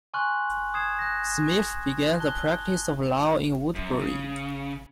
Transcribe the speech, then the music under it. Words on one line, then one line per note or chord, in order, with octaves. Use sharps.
Smith began the practice of law in Woodbury.
G#5 C6 C#6 F6 F#6 F#7
D#6 G#6 C7 E7
F#6 A#6
A5 F#6 G7
F#2
C#3